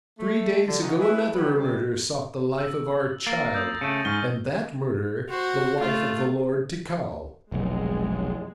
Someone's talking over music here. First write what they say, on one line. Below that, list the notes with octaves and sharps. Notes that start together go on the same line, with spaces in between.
Three days ago another murderer sought the life of our child, and that murderer the wife of the Lord Tikal.
A3
D3
E3 C#4 D#4 F4 F#4 D#5
E4 G#4 B4
F#3 G3 B3 F#4 B4
F#2 C3 G3
E6
A#3 A6 A#6
D#6 E6 G6
C#3 A3 C#7 D#7
G#2 C#6 F6 G7
F#4 C5
A3 F4
F1 B1 G#3